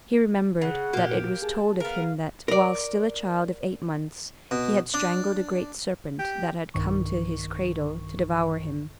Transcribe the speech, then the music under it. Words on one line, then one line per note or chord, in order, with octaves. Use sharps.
He remembered that it was told of him that, while still a child of eight months, he had strangled a great serpent that had come to his cradle to devour him.
C#3 F#5
A#2 A#3 F#4 G4
G#4 A5
B3 A#4 F5
A#4 D5
B2
D4
G4
B1 G2 D#3 C#6